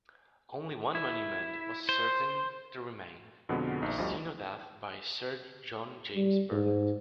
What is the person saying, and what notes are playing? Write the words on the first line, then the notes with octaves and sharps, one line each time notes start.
Only one monument was certain to remain; the Cenotaph by Sir John James Burnet.
E4
C5
F2 B2 D3 G#3 B3
A#1 D#4
G1 D2 F3 G3 D#5
G3
G#2